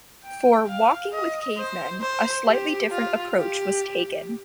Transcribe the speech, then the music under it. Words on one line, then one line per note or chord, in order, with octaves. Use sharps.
For "Walking with Cavemen", a slightly different approach was taken.
G5
F5
D#5
C5
C5
G4
F4
G4